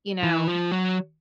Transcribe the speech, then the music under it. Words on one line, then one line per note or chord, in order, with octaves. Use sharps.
you know,
E3
F3
F#3